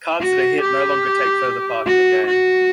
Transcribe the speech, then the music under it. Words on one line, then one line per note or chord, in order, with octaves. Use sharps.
Cards that are "hit" no longer take further part in the game.
F#4
G4
F#4
F#4